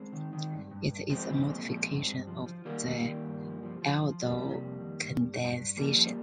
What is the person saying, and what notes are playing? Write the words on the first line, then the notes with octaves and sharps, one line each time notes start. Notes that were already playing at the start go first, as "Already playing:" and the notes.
It is a modification of the aldol condensation.
Already playing: G#3 C4
D#3
D#3
G2
G2
G2
F3 G#3 C4
F3
A#2
F3
G2
G2
F3
F3
D#3 G3 A#3
D#3
D#3
G2
F3
F3
F3
F3
F2 G3 A#3
C3
F2
D#3
G2
G2
G2
G2
F3 G3 A#3
F3